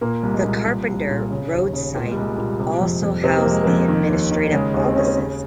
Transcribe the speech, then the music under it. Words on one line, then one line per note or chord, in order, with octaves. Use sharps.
The Carpenter Road site also housed the administrative offices.
A#2 A#3
C2
G#3
A#2
A#2
C2
A#2
C#3
D#2
C#3
A#2 A#3
G#3
G3
C2 G#3
A#2
C3
F2
F2
C3 C4
A#3
F2 G#3
F2 A#3
D#3
D#2
D#3
C#3 G#3
D#2
C4
C#3 C#4
C4
C#3